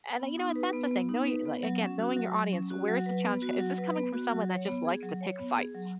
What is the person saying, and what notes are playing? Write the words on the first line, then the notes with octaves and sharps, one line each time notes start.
and then you know what, that's the thing, knowing li again, knowing your audience, where is the challenge c is this coming from someone that just likes to pick fights,
B3
D#4
B4
B3
B3
D#4
B4
B3
F#3
C#4
F#4
F#3
F#3
C#4
F#4
F#3
B4
B3
F#4
F#3
B4
B3
F#4
F#3
C#5
B3
G#4
F#3
C#5
B3
G#4
F#3